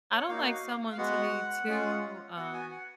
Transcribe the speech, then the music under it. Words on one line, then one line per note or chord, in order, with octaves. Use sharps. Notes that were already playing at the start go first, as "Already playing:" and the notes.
I don't like someone to be too, um
C#5
A#3 D#4 F#4 F5
F5
G#3 B3 F#4 F#5
G#3 C#4 F4 G#4
B3 F#4 F#5
G#5
F#5